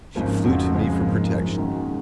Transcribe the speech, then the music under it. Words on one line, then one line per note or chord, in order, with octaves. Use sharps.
She flew to me for protection.
G#1 G#2 F3 A#3 C#4
F2 C#3 F3 C4 F#4
C#2 C#3 F3 G#3
G#2 F3 A#3
F#2 D#3 G#3
D#2 C#3 G#3 D#4 F#4